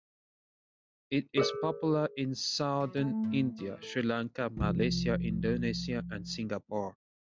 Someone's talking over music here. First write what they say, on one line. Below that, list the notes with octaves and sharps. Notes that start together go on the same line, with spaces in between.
It is popular in southern India, Sri Lanka, Malaysia, Indonesia, and Singapore.
G#4 A#4 C#5
F#3
A3
G#2
E3
A4
C2 F3